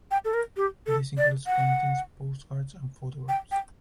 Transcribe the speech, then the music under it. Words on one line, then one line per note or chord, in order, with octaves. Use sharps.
This includes paintings, postcards and photographs.
G5
A4
A#4
G4
A4
D5
F#5
G5
G5